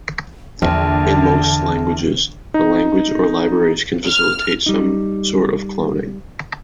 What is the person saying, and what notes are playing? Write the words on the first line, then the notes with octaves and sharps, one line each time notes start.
In most languages, the language or libraries can facilitate some sort of cloning.
A#1 E2 D3 A5
D#4
F6
G3 D#4